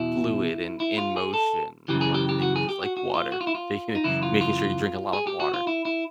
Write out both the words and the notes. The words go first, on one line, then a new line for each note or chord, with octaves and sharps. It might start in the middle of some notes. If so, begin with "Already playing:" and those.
fluid and in motion. One of the things is, like water. Taking in making sure you drink a lot of water.
Already playing: E2 B2 E4
E4
F4
G#4
A4
F#2 C#3 E3 G4
G#4
G4
G4
F#4
G#4
G4
F#4
F#4
F4
F#4
F4
E4
F4
D#4
F#2 C#3 E3 E4
F4
F4
G#4
G4
F#4
F4
E4
E4